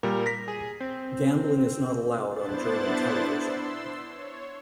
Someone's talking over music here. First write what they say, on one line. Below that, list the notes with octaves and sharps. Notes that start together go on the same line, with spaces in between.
Gambling is not allowed on German television.
A#2 G3 A#4
A#6 B6
G#4
C4
B3 D4 E4 C5 F#6 A6
C6 E6
C#5